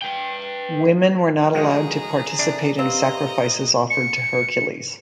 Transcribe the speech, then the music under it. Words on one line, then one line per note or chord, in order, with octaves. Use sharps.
Women were not allowed to participate in sacrifices offered to Hercules.
B4 G5
D#3 F3 G#3 F#4 G#4 C#5 D#5 A#5
C3 D4 D5
C4 G4 B4 D#5 F5 A#5
C#7